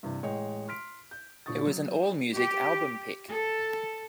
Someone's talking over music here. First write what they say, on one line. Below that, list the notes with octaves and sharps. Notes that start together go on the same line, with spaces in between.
It was an AllMusic 'Album Pick'.
G2 C3 E3
A1 G#3 C#5 D#5 G5
C6 F6 B6 D7
G6
D#1 D3 C#6 D#6 A6
F#3
G4
A4